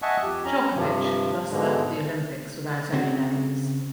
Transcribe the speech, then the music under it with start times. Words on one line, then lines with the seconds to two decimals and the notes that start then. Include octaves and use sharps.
Djokovic thus left the Olympics without any medals.
0.02 D#5 E5 F#5 G#5 A5 C#6
0.23 F2 G4
0.45 C#4 A#5
0.76 G2 C3 F3
1.52 G#2 B2 D3 G#3
2.93 C#3 C4 F#4